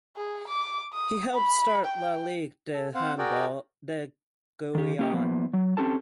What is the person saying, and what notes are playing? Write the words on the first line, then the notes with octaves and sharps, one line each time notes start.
He helped start La Ligue de Handball de Guyane.
G#4
D6
D#6
B5
G5
A4
C4 C5 F5 F#5
F#4 G#4 A#4 D5 G5
D#3 G4
A#3 C#4 G4 G#4 D#5 G5
F3 A#3 B3
F#3
C4 C#4 G4 A4 A5